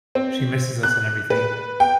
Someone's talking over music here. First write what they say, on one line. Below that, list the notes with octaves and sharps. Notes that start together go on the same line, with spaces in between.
she misses us and everything.
C4
F#6
B4
G5